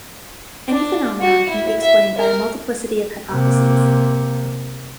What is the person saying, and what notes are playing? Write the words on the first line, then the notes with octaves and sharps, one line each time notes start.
Any phenomenon can be explained by a multiplicity of hypotheses.
D4
F#4
E4
E5
A#4
C3 A#3